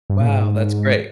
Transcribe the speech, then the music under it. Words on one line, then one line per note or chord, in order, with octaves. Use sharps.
Wow, that's great.
G2
A#2
G#2